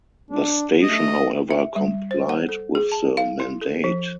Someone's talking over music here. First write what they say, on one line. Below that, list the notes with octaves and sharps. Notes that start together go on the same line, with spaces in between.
The station, however, complied with the mandate.
D4
A3 D#5
E5
G3
C5
F#5
A4
G#4
A5
F5
E4
A4
F3